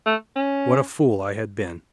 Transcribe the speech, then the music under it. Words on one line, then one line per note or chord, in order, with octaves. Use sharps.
What a fool I had been!
A3
C#4